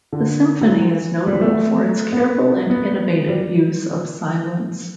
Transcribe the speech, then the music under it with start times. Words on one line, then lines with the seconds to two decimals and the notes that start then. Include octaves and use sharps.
The symphony is notable for its careful and innovative use of silence.
0.13 D3
0.61 F#3
0.70 E3
1.27 G3
1.41 A3
2.13 B3
2.70 B3
3.28 G3